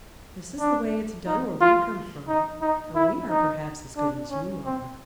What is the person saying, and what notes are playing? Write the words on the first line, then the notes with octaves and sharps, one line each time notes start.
"This is the way it's done where we come from, and we are perhaps as good as you are."
D4
D#4
F4
D#4
D#4
E4
D#4
D4
C#4
C4